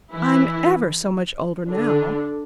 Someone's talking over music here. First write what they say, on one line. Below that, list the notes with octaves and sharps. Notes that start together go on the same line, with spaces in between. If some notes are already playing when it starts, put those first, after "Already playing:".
I'm ever so much older now....
E3 E4
D3 D4